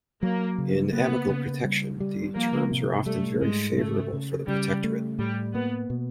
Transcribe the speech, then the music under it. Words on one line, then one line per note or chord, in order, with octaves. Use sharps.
In amical protection, the terms are often very favorable for the protectorate.
F#3 A#3
C#3
A#3 B3
C#3
G3
G3
F3 A#3
C3
G3 A3
G#2 G#3
C#3 A3
C#3
C#3 G3
A3
A2 G3
A#3 B3
B2